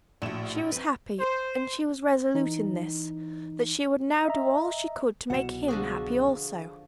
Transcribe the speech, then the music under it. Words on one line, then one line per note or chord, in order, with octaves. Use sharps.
She was happy, and she was resolute in this,--that she would now do all she could to make him happy also.
A#1 A2 F#4 E7
C4 B4
C5
E3 D#4
D#5 E5 A#5
C2 B2 F#3 F#5 E7
D3 F3 F#4 G#4